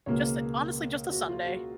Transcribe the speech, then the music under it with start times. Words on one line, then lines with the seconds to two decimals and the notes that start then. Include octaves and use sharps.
just a honestly just a Sunday.
0.06 C#2 B2 A#3 C#5
1.11 F#4
1.29 F4
1.46 F#4